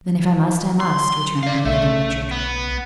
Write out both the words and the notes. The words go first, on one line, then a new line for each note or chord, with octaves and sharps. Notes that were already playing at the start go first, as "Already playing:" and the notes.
"Then, if I must, I must," returned the yielding Richard.
C6
D5 F5
B1 A3
B3